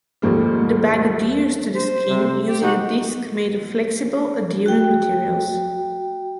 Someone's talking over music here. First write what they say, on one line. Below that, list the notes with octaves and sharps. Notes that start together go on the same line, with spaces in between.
The bag adheres to the skin using a disk made of flexible, adherent materials.
D#2 G#2 F3 G3 A3 A#3
C5
C3
G4
D#4 F#4 G4
F#4 G5